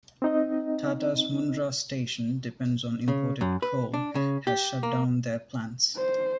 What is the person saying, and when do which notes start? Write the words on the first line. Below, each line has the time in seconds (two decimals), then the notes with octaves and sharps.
Tata’s Mundra station depends on imported coal has shutdown their plants.
0.22 C4 D#4 D#5
3.08 C#3
3.41 F#2
3.62 B4
3.94 D4
4.15 C#3
4.47 G4
4.83 A#3
5.96 C5